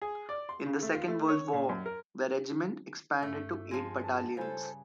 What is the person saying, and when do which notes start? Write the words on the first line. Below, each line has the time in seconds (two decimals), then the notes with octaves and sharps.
In the Second World War, the regiment expanded to eight battalions.
0.02 G#4
0.29 D5
0.49 C6
0.66 C#3
0.82 A3
0.95 F4
1.08 A3
1.29 C#5
1.53 A#2
1.69 F#2
1.86 A#4
3.23 G2 A3
3.71 F3 G#3 G#5
4.01 A5
4.37 G2 C#3 F4 A4 C5 G#5